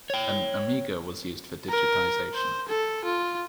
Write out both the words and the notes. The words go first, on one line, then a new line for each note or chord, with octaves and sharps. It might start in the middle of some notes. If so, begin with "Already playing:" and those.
An Amiga was used for digitisation.
C#5 G5
A#4
C5
A4
F4